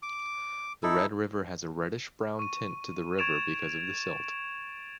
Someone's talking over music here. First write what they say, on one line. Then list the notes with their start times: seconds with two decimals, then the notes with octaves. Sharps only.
The red river has a reddish-brown tint to the river because of the silt.
0.02 D6
0.83 D#4 E4 A4
2.39 C#6 D#7
3.18 C#6 G#6 A6 D7 E7 F7